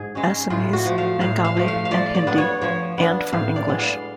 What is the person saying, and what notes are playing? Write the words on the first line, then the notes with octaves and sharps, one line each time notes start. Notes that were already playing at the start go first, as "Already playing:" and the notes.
Assamese, Bengali and Hindi, and from English.
Already playing: G#2 G#4
G#3 C#4
A2 F4
F#4
F3 A3
F5
A2 F5
F5
F3 A3
F5
F5
F3 D5
D5
B3 D4
C#5
F3 C#5
B3 D4
A2 F5
D5
G#3 B3 D4
F5